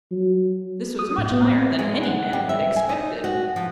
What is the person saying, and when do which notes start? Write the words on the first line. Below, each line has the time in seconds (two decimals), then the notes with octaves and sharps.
This was much higher than any man had expected.
0.11 F#3
0.99 D#6
1.18 A2
1.32 B3
1.45 C4
1.79 G#3
2.03 F#5
2.33 G3
2.49 E5
2.76 G#5
2.89 D#4
3.24 F#4
3.56 F3